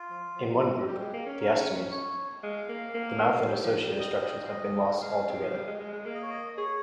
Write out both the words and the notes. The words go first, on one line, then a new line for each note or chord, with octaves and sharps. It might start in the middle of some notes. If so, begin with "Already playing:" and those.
In one group, the astomes, the mouth and associated structures have been lost altogether.
Already playing: F4
F3
F3
G3 G4
G#3
A#3
C#4
A#4
C#5
G#3 F5
A#3
A#3
G3
F3
G3
D#5
F5
D#5
G#3 F5
C4
F3
G3
G#3
G#3
G#3
A#3 F5
D#5
C#5
D#5
G#4 C#5